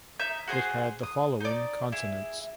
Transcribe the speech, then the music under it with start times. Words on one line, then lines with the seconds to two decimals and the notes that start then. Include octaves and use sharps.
It had the following consonants.
0.19 D#4 E5 G6
0.47 F#4 G#4 C5
1.03 D#6
1.40 D#4 D5
1.92 E4 G#4